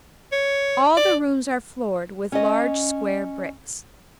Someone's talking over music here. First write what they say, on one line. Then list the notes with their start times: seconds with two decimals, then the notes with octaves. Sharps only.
All the rooms are floored with large square bricks.
0.32 C#5
0.97 D5
2.32 C#4 D#5